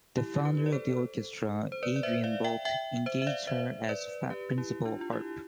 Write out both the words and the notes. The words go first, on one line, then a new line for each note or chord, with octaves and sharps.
The founder of the orchestra, Adrian Boult, engaged her as Principal Harp.
E4 G4
G4 B4
D5
A4 C5
C5
B4 D5
D5
C5 E5
D5 F5
E5 G5
E5 G5
C5 E5
E5
D5 F5
C5 E5
B4 D5
G4 B4
E4 G4
D4 F4
F4
E4 G4